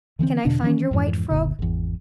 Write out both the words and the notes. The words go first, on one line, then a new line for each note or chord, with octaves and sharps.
Can I find your white frock?'
D3 E3 G3 C4
E2 B2 D3 D4
D#3 E3 G3 C#4
F2 G#2 E3
F#1 D2 A#2 D3
G#1 E2